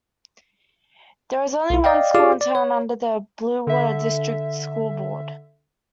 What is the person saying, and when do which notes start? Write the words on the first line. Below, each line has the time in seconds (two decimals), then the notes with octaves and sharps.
There is only one school in town under the Bluewater District School Board.
1.70 B1 E4
1.84 D5 D#5 F5 G5
2.15 F4 G4 G#4 D5 F5 D6
2.41 D5
2.55 C#5
3.67 D3 E5